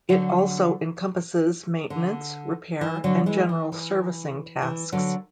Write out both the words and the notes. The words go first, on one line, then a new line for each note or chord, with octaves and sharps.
It also encompasses maintenance, repair, and general servicing tasks.
D3 F#3
D3
E3
D3 F#3
E3 G#3
E3
E3
E3
D3 F#3